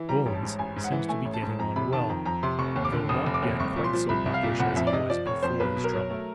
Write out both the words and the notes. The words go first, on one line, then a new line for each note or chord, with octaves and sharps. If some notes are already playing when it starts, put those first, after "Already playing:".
'Bones' seems to be getting on well, though not yet quite so buckish as he was before his trouble.
Already playing: E3
G3 A#5
A1
A5
G#2
A1 G#5
G#2
F#5
E3
A3 G#5
A1
A5
G#2
F2 A#5
C3 B5
D#3 A5
F2 A#5
F2 A#5
C3 C6
F1 C#6
D#2
D6
D3
F1 D#6
F1
D6
D#2
C2 C#6
A#2
C6
F3
C2 B5
C2
F5
A#2
F1 F#5
F2 E5
D5
C3 D#5
F3 D5
F1 C#5
F2 C5
B1 B4
B2
A#4
F#3
A3